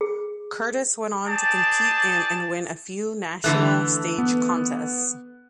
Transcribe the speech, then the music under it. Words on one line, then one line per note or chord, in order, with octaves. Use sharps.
Curtis went on to compete in and win a few national stage contests.
G#4
G#4 D5 G5 A5
D3 E3 A3 F#6
B3